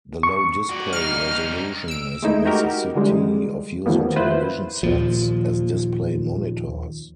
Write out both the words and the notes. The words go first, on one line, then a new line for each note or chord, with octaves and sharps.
The low display resolution is a necessity of using television sets as display monitors.
C#6
F#4 D5
G3 D#4 F6
E6 D7
G#3 A3 D#4 E4
D#4 F#4 G4 A#4
D3 E3 G3 G#3
A2 D#3 F3 G3 A#3 B3
E4 F4 B4 C5
D#2 A#2 F3